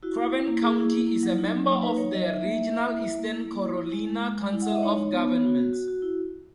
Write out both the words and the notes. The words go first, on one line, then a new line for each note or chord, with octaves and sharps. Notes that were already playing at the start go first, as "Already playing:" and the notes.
Craven County is a member of the regional Eastern Carolina Council of Governments.
E4 F#4
E4
E4
A#3
A#3 G#4
E4
A#3
E4
F#3
D#4
F#3
A#3
D#4 B4
F#3 C#5
F#3 D#5
D#4 E5
A#3 E5
E4
A#3
E4
E4
A#3
E4
A#3
E4
E4
G#3
G#3
G#3
G#3
E4
F#5
G#3 E5
D#5
D#4 C#5
D#4
B3
B3
F#4
F#4
F#4
F#4
E4